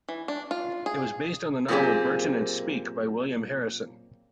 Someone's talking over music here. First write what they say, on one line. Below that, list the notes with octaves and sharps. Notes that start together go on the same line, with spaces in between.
It was based on the novel "Burton and Speke" by William Harrison.
E3
D4
F4
G#4
F#2 A#2 A#3 C4 G4 G#4